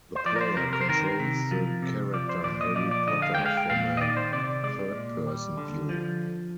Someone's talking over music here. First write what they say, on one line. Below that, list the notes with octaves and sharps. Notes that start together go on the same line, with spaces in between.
The player controls the character Harry Potter from a third-person view.
C5
F3 D5
A#4
C5
C3 A#4
A#4
C5
D#3 A#4
C3
F3
C3
F3 D5
C5
A#2 D5
D#5
F3 D5
D5
D3 D#5
F5
G#3 G5
F5
G5
A#2 F5
D#5
D#3 D5
C5
C3 D5
G#3 D5
A#2
G3
D3
F3